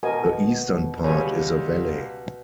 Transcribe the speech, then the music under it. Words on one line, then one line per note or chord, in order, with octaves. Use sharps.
The eastern part is a valley.
B2 A#4 D#5 G#5
C#2 G3 G#4 C#5 G#5